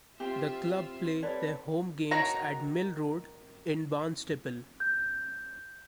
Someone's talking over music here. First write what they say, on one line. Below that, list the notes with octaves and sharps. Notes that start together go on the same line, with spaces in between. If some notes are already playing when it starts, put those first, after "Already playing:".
The club play their home games at Mill Road in Barnstaple.
C4 F4 G4 C5 E5 C6
G3 A4 B4 C#5 D5
D#3 F#4 C#5 A#5
G6